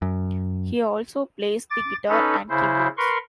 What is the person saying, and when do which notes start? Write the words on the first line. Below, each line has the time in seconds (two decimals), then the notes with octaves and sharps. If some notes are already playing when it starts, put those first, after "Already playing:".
He also plays the guitar and keyboards.
0.02 F#2
1.70 D6 A6
2.09 C#4 D#4 A4 B4
2.49 C#3 E4 C5
2.97 A#4 B4 C6 C#6